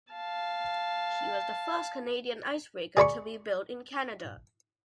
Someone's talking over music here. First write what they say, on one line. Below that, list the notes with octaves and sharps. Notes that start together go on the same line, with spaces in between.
She was the first Canadian icebreaker to be built in Canada.
F5 A5
G#4 D5 B5 C#6